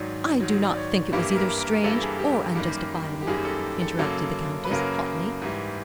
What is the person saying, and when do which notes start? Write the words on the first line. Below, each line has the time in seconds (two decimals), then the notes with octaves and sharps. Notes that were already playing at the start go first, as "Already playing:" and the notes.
"I do not think it was either strange or unjustifiable," interrupted the Countess, hotly.
Already playing: G#2 D#3 F#3 D5
0.40 G#2 D#3 F#3
0.69 D5
0.77 C#5
1.12 G2 E3 G3 A#3
1.36 A#4
1.60 A#4
1.84 G2 E3 G3 A#3 A4
2.03 G#4
2.19 G4
2.38 G4
2.55 F#2 D#3 G3 A#3 G4
3.22 G4
3.27 F#2 D#3 G3 A#3 G#4
3.45 A4
3.82 A4
3.99 F#2 C#3 F#3 A#3 A4
4.64 B4
4.71 F#2 C#3 F#3 A#3 A#4
5.42 G#2 E3 G3